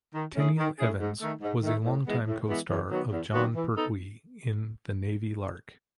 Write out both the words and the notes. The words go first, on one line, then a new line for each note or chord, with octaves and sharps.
Tenniel Evans was a long-time co-star of Jon Pertwee in "The Navy Lark".
D#3
A3 C#4 E4 G#4
D#3
A3 C#4 E4 G#4
G#2
D#3 A3
G#2
D#3 A3
A2
E3 G#3 B3
A2
E3 G#3 B3
E2
D#3 F#3 B3 F#4
E2
D#3 F#3 B3 F#4
E3
B3 D#4 A4